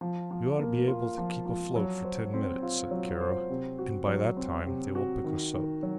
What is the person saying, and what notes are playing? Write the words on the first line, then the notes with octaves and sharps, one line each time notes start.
"We ought to be able to keep afloat for ten minutes," said Kara, "and by that time they will pick us up."
F3
F3
A#3
F4
F3
F3
F#3
C5
C4
F4
F#3
C5
C3
F#4
F#3
C4
C3
F#4
D#3
D#3
F#3